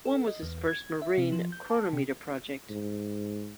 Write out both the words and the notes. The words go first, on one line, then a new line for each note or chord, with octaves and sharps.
One was his first marine chronometer project.
A4
D#5
E2
G#6
E5
C3
F3
G6
A5
C3
G#2